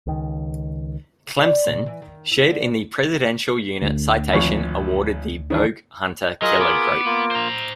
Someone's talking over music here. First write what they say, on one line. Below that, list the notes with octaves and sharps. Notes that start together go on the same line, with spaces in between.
"Clemson" shared in the Presidential Unit Citation awarded the "Bogue" hunter-killer group.
C#2 D#3
D5
A#2
E3
D#3
E4
D3
D2
G#1 F2 C#6
D#3 E3 D4
F#3 F4 G#4 A#4 D#5
B3 D6
A#3 F4
C5 A#5